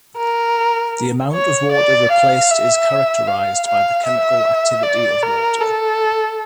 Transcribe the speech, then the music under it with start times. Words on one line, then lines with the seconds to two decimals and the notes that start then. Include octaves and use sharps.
The amount of water replaced is characterized by the chemical activity of water.
0.17 A#4
1.33 C#5
1.72 D5
2.12 F5
2.51 E5
3.27 F5
3.67 F5
4.06 E5
4.83 D5
5.23 A#4
5.60 A4